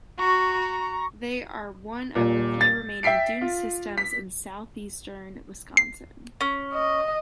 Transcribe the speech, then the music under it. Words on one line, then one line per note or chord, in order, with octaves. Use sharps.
They are one of the few remaining dune systems in Southeastern Wisconsin.
F#4 A#5 C#6
D#1 A#2
A6
E5 G5 B6 C7 D7
F4
B6
C7
C#4
D#5